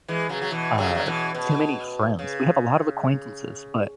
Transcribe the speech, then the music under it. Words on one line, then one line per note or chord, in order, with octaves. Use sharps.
uh, too many friends. We have a lot of acquaintances, but
E3 G#3
C#3 F#3
F#3
B2 E3
C#3 F#3
F#3
B2 E3
B2
C#3